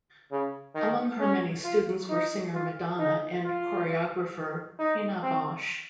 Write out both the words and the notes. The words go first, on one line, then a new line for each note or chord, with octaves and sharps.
Among her many students were singer Madonna and choreographer Pina Bausch.
C#3
D#3
C#4
F4
D#4
F4
D#4
F4
D#4
C4